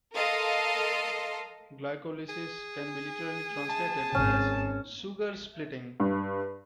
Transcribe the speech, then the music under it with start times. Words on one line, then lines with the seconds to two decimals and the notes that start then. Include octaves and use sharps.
Glycolysis can be literally translated as "sugar splitting".
0.15 A4 A#4 D#5 F5 C6
2.29 G#4
3.69 A5
4.15 G#1 C#4
6.00 G2